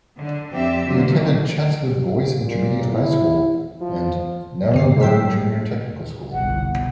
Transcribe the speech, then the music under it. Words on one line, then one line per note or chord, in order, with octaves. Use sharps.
He attended Chatswood Boys Intermediate High School and Naremburn Junior Technical School.
D3
F2 C4 G4 D5 E5
D3 F#3 A3 A#3
A#2
E4
F3
G2 D3 C7
F#3 G5 E6 B6
G1 C2 B2 F#5